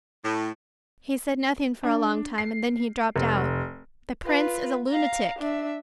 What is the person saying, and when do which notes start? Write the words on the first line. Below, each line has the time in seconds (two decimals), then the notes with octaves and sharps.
He said nothing for a long time, and then he dropped out, "The Prince is a lunatic!"
0.23 A2
1.83 D4
2.38 C7
3.16 F1
4.25 F4 B4
4.89 F5 A#5
5.39 D4 E5